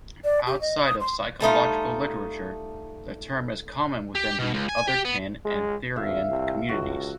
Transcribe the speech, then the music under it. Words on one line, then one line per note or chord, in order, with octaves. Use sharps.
Outside of psychological literature, the term is common within the otherkin and therian communities.
D5
G4
D#5
D#6
C6
G3 A3 D#4 F4
G4
B2
C#2
G#5
G4
B3
G#3
G#1 E5 F5
C2
C#2 F#4